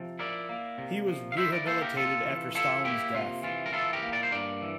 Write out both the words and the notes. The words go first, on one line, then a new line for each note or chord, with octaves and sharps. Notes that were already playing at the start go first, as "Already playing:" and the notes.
He was rehabilitated after Stalin's death.
Already playing: C3 F3
E4 A#4 D5
A#3
C3
F3
F5
E4 C5 E5
A#4 D5
A#3 A4 C5
G4 A#4
C3 F4 A4
E3
E4 F4 A4
A#3 E4 G4
C3 F4
E3 F4
A#4
E4 F4 A4
G4 A#4
A#3
A#4 D5
C5
G2 A#4 D5
E3